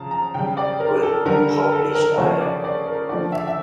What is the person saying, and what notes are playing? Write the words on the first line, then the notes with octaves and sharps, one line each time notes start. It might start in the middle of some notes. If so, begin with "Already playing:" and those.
Well, how pleased I am!
Already playing: C#3 F3 A5 A#5
A#5
C#3 G3 G5
D5
A#4
A4
D3 G3 A#4
A4
A4
A#4
C#3 F3 A3 C#5
D5
D5
A#4
D3 F3 A3 D5
E5
E5